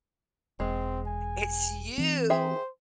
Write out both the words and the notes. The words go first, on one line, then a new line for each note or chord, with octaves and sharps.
it's you
E1 G#3 C4
G#5
E3 C4
G#4 C5 E5 G5